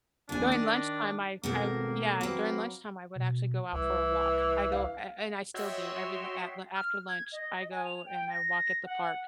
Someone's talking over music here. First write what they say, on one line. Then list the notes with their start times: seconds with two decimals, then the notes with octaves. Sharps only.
During lunchtime, I I Yeah, and during lunchtime, I would actually go out for a walk. I go and and I still do every l af after lunch, I go and I walk at the park.
0.29 F1 D#2 D4 G#5
0.52 D#3 D#5
1.43 G#1 B2 A3 A#3 A#4
2.21 F#3 A#3 C4 B4
3.16 B2
3.72 C2 E3
4.72 F5
5.54 F#4 C#5 D#5 E5 G5 C6
6.75 F6
7.09 G#6
7.32 D#5
7.71 G#5
7.85 F7
8.06 G5
8.30 A#6
8.85 F#5